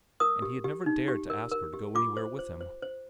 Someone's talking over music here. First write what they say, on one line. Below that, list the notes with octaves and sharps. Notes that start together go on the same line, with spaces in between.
And he had never dared to ask her to go anywhere with him.
A#4 D#6
G4
G4
D#4
G4
A#4
A#4
G4
F4 D6
C5
C5
C5
C5